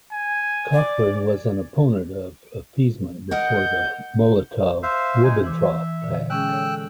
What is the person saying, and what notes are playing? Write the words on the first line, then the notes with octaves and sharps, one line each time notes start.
Cockburn was an opponent of appeasement before the Molotov-Ribbentrop Pact.
G#5
D5
A#4 D#5 F#5 G6
C5 E5 F5
G#3 D#4 G#5
E3 E5 D6
A#2 D3
G#3 C#4 G#4 G5 E6 F#6
A4 C#5